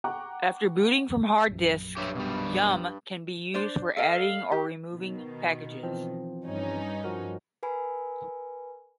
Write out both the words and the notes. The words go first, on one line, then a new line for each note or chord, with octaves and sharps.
After booting from hard disk, yum can be used for adding or removing packages.
F#5 G5 A#5 C#6 D6 F#6
A#1 F#2
G2 G4 C#5 E5
B2 G3
D4 C5 D5
A4 D#5 F5
G4
B2 D#3
E3 F3 C4
G2 C#4 D#4
F3 F#4 A#4
A#4 B4 G#5 B5